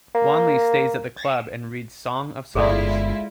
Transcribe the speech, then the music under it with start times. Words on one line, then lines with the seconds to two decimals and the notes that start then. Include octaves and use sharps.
Wanley stays at the club and reads Song of Songs.
0.15 A#3
2.55 G1 G#3 E4 F4 G#4 A4 D5